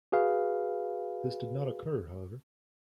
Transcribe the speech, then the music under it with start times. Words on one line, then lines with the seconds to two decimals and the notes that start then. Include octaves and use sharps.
This did not occur, however.
0.12 F#4 G#4 B4 F5